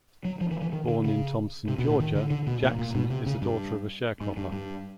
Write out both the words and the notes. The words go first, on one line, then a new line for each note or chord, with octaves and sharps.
Born in Thomson, Georgia, Jackson is the daughter of a sharecropper.
F#3
F3
E3
E3
D#3
D3
C#3
C3
B2
A2
D#3
D3
D3
B2
A#2
A#2
B2
C3
C#3
G2
G#2
G2
G2